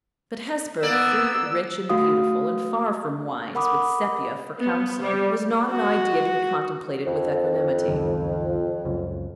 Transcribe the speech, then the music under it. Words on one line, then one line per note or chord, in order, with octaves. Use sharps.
But Hesper, free, rich, and beautiful, and far from wise, with Sepia for counselor, was not an idea to be contemplated with equanimity.
A#3 B3 D5 E6
A3 F#4 F5 D#6
A#4 F#5 B5 D6 D#6
B3
G3
F#4
F2
C#2 F#2 D#3
C#2 F#2